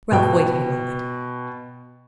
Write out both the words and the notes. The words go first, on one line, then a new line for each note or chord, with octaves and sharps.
Ralph waited a moment.
B2 G5